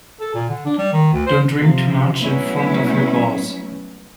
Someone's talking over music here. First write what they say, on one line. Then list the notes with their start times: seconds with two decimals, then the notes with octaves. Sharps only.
Don't drink too much in front of your boss.
0.20 A4
0.34 A#2
0.49 D3
0.66 D4
0.78 G3
0.93 D#3
1.13 D2
1.26 C5
1.58 C3 F3
2.18 F#3 G3 A3 B3 C#4 E4